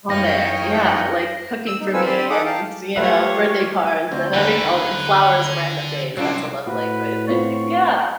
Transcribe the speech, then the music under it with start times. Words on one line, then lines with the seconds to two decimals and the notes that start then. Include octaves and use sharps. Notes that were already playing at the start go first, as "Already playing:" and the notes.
On there, yeah, like cooking for me and, you know, birthday cards and every all and flowers on random days. That's a love language, I think, yeah.
0.10 F#2 E3 D#4 C#5 F5 G5 A#6
1.67 E6
1.80 D#4
1.93 C4 F4 A4 B4 G#5 E6
2.06 C4 G4 D5 B5 C6
2.30 D#4 G#4 A4 F#5 D6 D#6
2.45 F5 G5 A5
2.96 A3 F4 G4 B4 C#5 E5 F#5
4.12 D2 C4
4.34 D#2 D3 D#3 A3 A#4 B4 F#5
6.17 C2 F#2 F#3 C4 D4 F4 A4
6.67 A2 F#4 B4
7.28 B3 C4 F4 C#6